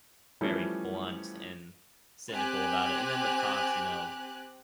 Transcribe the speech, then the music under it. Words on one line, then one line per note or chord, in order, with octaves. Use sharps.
very blunt and cynical about it, and then the cops, you know
E3 F3 G3 A3 C#4
C4 G4 G#5 F#6